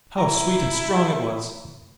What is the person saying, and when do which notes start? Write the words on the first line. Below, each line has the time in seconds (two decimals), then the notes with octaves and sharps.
How sweet and strong it was!
0.18 E4 A#5